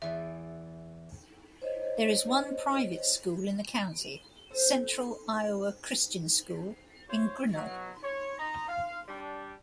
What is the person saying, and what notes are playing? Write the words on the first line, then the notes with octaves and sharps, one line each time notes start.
There is one private school in the county, Central Iowa Christian School, in Grinnell.
E2 E3 D5 E5
C5 C#5 D#5
C4 A4 C5
F4 C5 C#5
B2 F#3
C#5
D#4 A#5
F5
G3 D4